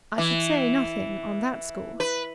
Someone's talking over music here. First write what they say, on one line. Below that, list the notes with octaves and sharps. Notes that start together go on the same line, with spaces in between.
"I should say nothing,--on that score."
E3
B4